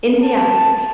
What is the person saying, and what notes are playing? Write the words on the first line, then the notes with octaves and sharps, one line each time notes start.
In the attic.
A5